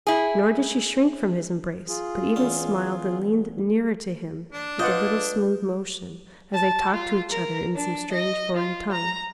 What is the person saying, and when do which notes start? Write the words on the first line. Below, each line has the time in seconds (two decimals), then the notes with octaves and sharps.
Nor did she shrink from his embrace, but even smiled and leaned nearer to him with a little smooth motion, as they talked to each other in some strange, foreign tongue.
0.07 E4 G#4
1.88 F4 G#4
2.36 E2 C#4
4.52 D4
4.79 F4 B4 D5 D#5 F#5 G6
6.54 A5
6.94 F4
7.30 A#4
7.76 D4
8.13 D#5
8.57 F4
8.92 A#5